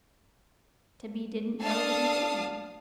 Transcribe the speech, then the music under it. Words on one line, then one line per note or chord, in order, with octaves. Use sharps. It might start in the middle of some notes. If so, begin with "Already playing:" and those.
Tibby didn't know that he did know.
D4 A4 F5 A5 D#6